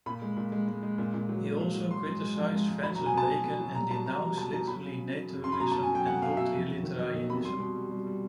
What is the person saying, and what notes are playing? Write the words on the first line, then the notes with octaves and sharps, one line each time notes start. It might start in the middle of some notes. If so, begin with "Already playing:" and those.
He also criticized Francis Bacon and denounced literary naturalism and utilitarianism.
A#2 B5
G#3
A#2
G#3
G#3
G#3
A#2
A#2
F#3
F#3
A#2
F#3
G#2 C6
G#2
G#3
F3
G#2
G#2
F#3 B5
B2 A#5
G#5
B2 A5
B2
B2
F#3
G3 A#5
B2 A5
B2 A#5
G3 A#5
B2 A5
B2 A#5
F#3 B5
C#3
C#3
C#3
F#2
F#2 C6
B5
B2 A#5
A5
B2
G#5
F#3 G5
B2 F#5
B2 F5
B2 E5
F2
F#3
D#3
F#3 D#5
D#3
C3 B5
G3 C6
B2
G3
G3
G3